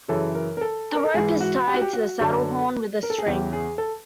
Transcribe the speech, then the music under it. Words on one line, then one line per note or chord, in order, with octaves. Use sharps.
The rope is tied to the saddle horn with a string.
F#2 C#3 E3 A4
A#4
A#4
A4
A#4
A4
G#2 E3 G#4
F#4
G4
F#4
G4
F#4
F#2 D3
A#4
A4
G#4
E2 C#3 E3 G4
G#4
A4